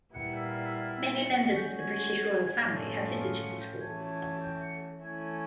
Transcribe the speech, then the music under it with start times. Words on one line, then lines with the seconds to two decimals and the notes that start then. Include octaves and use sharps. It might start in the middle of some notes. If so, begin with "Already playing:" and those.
Many members of the British Royal Family have visited the school.
0.14 A#2 G3 B3 E4 F#5
0.35 E5
0.45 F5
0.65 E5
0.75 F5
0.96 E5
1.16 F#5
1.36 G#3 C#4 F#4 F#5
1.50 F#5
1.56 G5
1.77 G#5
2.59 A2 F3 A3 C#4 F4
3.20 F5
3.40 F#5
3.60 G5
3.80 E3 A3 C#4 G#5
4.11 G#5
4.42 G5
4.62 F#5
5.03 E3 A3 C#4 E4 G#5